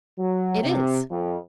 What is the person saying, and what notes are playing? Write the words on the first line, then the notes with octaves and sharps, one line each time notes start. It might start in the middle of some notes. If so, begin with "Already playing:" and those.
"It is."
F#3
C3
F2